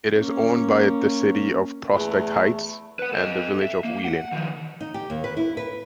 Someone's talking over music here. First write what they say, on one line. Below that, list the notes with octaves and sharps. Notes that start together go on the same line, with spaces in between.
It is owned by the City of Prospect Heights and the Village of Wheeling.
A#3 C#4
E2 A3 G#4 B5
B4 F#5
A4 D#5
E5
A#3
F#5
D#3 F3
D#4
G4
D#2
B4
E4
B4